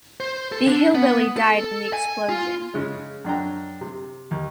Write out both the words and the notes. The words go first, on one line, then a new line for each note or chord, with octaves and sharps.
The hillbilly died in the explosion.
C5
A4
D4
B3
A4
G#5
F4
C#3 G#3
F#2 D4 G5 A#5
C3
D#2